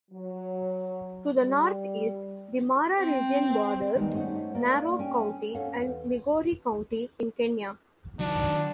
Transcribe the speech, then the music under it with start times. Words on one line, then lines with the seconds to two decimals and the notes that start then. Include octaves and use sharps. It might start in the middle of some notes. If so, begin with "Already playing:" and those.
To the northeast, the Mara Region borders Narok County and Migori County in Kenya.
0.11 F#3
1.38 G3
2.98 C4
3.95 D#3 G3 G#3 B3
4.14 A3 C#4 D#4 C5 F#5
4.54 A#3 D5
4.99 C#4 G5 G#5
5.55 C#4 A4 C#5 F5 F#5
5.76 E2
8.20 D#3 F#3 D4